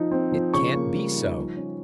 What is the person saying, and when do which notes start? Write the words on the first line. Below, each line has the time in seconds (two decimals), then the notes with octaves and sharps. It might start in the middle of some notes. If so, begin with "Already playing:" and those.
It can't be so!
Already playing: F3 D#4
0.11 C4
0.32 F3
0.54 C#3 C#6
0.74 A#3
0.94 G3
1.15 D#4
1.36 F3
1.57 C#4